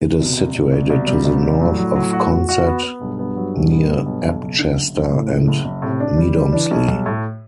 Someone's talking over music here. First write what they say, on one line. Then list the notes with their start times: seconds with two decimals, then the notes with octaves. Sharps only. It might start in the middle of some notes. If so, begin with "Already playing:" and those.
It is situated to the north of Consett, near Ebchester and Medomsley.
0.19 C2 B2
0.37 C2
0.54 C2 A2
0.72 C2
0.90 C2 B2
1.07 G3
1.25 C2
1.43 G3
1.60 A2 F#3
1.78 F#3
1.96 F#3
2.13 F#4
2.31 F#4
2.49 F#4
2.66 B3
2.83 B3
3.01 B1 G2
3.19 B3
3.36 F#3
3.54 B1
3.71 B3
3.89 B3
4.06 B1
4.24 B1
4.42 F#1
4.59 D3
4.76 F#1
4.95 F#2
5.12 F#1 A2
5.30 F#1
5.47 F#1
5.65 F#1
5.82 A2 C3
6.00 D4
6.18 C3 G3
6.36 G3
6.52 E3 D4
6.71 B1
6.87 B1 G3
7.06 A2